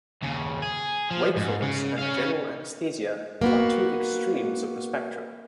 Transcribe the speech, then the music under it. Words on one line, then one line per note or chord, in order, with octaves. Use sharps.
Wakefulness and general anesthesia are two extremes of the spectrum.
D#2 C#3
G#4
F3
G#2
C#3
C#4 F5
A#3 B3 F#4